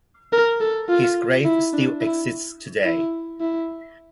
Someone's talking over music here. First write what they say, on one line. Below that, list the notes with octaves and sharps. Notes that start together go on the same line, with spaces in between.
His grave still exists today.
A#4
A4
F4
E4
D4
E4
E4
E4